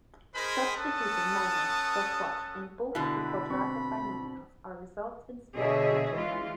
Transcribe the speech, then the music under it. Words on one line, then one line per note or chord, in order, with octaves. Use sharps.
Substituting minus for plus in "both" the quadratic binomials also results in split-quaternions.
D#4 G#4 A#4 C5 G#5 B5
C#4 A4 F#5 A5 D#6
B2 D3 E4 B5
C4 C5 C#6
B2 D3 G#4 C#5 D#5 E5
E3 G#3 F4